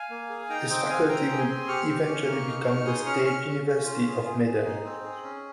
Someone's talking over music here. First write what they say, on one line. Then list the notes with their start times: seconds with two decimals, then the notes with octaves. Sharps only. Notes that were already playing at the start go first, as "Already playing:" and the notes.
This faculty would eventually become the State University of Medan.
Already playing: F5 G#5
0.10 A#3
0.30 G#4
0.50 D#4 G5 A#5
0.69 C4 D#5 G5
0.89 C4 F5 G#5
1.09 C4 G5 A#5
1.28 G#4
1.38 G#5 C6
1.48 C4
1.68 G4 C#6 F6
1.88 G4
2.07 C#4
2.27 A#3
2.48 D#4
2.67 D#4
2.86 G#4 C6 D#6
3.06 C#4 C#6 F6
3.26 C#4 C#6 F6
3.46 C#4
3.65 C#4
3.85 F4
4.06 G#4
4.25 G#4
4.45 G#4
4.65 D#4
4.84 C4
5.04 G#4
5.23 C#4